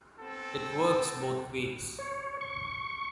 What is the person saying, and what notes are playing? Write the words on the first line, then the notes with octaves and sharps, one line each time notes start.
It works both ways.
B3 C4 A4
C#5
C#6